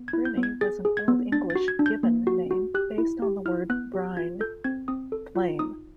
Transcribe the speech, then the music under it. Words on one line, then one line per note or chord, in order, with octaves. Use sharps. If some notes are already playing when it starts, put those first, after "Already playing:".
Bryni was an Old English given name based on the word "bryne", "flame".
Already playing: B3
G#6
E4
G6
B3
G#6
G#4 A6
G#4
G#6
B3
D4 A6
A6
F#4
G#6
D4
G6
A#3
F#4
F#4
G4 F#6
E4
G4
E4 F6
B3 F#6
G4
F4 G#6
A4 G6
C4 G#6
C4 D#6
A4
F4
D#4 D#6